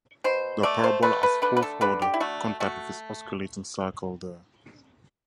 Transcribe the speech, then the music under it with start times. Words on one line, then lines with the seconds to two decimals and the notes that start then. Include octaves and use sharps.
The parabola has fourth order contact with its osculating circle there.
0.24 B2 C5
0.63 A3 D5
0.84 C5
1.03 A3 B4
1.23 B4
1.42 D3 B4
1.57 B4
1.62 A4
1.81 D3 B4
2.02 G4
2.14 E4
2.20 A3 F#4
2.60 A3 F#4